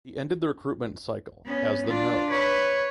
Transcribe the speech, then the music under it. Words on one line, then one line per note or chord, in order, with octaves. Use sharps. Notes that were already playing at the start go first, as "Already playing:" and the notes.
He ended the recruitment cycle as the no.
B3 C#4
D4 F4
B4 C#5